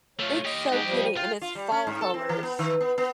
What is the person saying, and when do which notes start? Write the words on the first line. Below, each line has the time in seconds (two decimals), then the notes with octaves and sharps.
it's so pretty and it's fall colors.
0.19 A3 F4 C#5
0.45 G4 D#5
0.69 G#3 D#4 G4 D#5 F#5
0.84 F3 G3
1.17 F4 G5
1.41 F4
1.55 G3
1.72 C#4
1.87 G#2
2.01 A4
2.14 C4
2.29 E3
2.43 B3
2.59 D#3
2.81 B3
2.98 B3